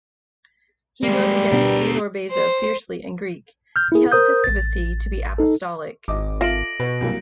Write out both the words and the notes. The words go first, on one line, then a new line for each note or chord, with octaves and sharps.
He wrote against Theodore Beza fiercely in Greek; he held episcopacy to be apostolic.
G3 G#3 A#3
B2 B3 D4 G4 A#4
C5
F6 G6
E4 G#4
A#4 C5 D#6 G6
A1 A6
D#4 A4
G#1 D#5 D6
F4 A4 E5 A#6 D7 F#7
B2 B4
C2 F#3 A#3